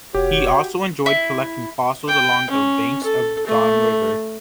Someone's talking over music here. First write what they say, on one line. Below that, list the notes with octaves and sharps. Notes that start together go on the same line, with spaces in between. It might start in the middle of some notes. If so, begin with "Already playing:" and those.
He also enjoyed collecting fossils along the banks of the Don River.
F1 F#4 G4 C#5
E4
G5
C#4
A4
A3